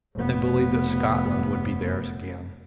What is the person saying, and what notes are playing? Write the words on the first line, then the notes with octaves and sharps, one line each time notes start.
They believed that Scotland would be theirs again.
F1 B3